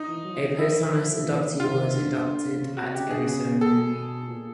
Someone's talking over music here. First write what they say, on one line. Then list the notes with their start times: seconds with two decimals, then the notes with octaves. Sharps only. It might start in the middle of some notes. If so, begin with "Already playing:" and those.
A posthumous inductee was inducted at every ceremony.
Already playing: D#4
0.08 E3
0.25 F#3
0.33 F3
0.42 D#3
0.50 C#3
0.59 F3 E4
1.27 E3
1.39 D#3
1.52 D3
1.60 F4
1.66 D#3
1.94 D3
2.60 C#3
2.77 C3 F#4
2.94 C#3 G4
3.09 D3 G#4
3.22 C#3
3.28 G#4
3.61 B2 A4
4.29 A#2